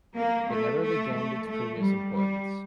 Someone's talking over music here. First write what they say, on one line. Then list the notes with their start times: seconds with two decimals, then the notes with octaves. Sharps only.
It never regained its previous importance.
0.17 A#3
0.50 A3
0.83 A3
1.15 A3
1.48 A3
1.80 G3
2.13 G3